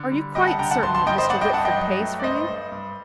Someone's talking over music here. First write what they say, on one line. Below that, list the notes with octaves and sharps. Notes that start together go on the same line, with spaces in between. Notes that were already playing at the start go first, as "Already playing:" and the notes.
"Are you quite certain that Mr. Whitford pays for you."
Already playing: D3
G3
G3 D#5 G5
F#5 A5
D3 G5 A#5
F#5 A5
G2 A5 C6
A5 C6
G2 D#5 G5
C5 D#5
G2 D5 F#5
D#5 G5
G2 F#5 A5
D#5 G5
F#3
A3
D5
G2 C5 D#5
G2
G2